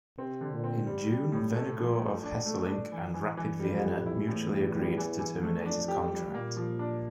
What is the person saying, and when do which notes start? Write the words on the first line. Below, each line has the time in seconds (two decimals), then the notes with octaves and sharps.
In June, Vennegoor of Hesselink and Rapid Vienna mutually agreed to terminate his contract.
0.17 C3 C4
0.41 D3
0.53 A#2
0.64 C4
0.86 G3
1.10 G3
1.32 A2
1.55 A3
1.78 F3
2.00 A3
2.23 D4
2.46 A3
2.69 D4
2.92 E3
3.15 E3
3.37 E3
3.60 F2 G3
3.83 G3
4.06 E4
4.28 E2 A2
4.52 G3
4.74 G3
4.98 E3
5.19 E3
5.43 A3
5.66 F2 D4
5.88 G4
6.11 G3
6.34 A#2 A#3
6.57 F3
6.79 D4